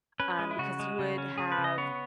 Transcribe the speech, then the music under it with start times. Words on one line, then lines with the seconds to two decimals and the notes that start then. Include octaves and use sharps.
um, because you would have
0.20 C#4 B4
0.39 G#3
0.51 E4
0.58 C#3 F#4
0.79 G#3
0.99 C#3
1.18 C#4
1.38 C#3 G#4
1.52 B4
1.58 C#3
1.64 D#5
1.78 B3 C#5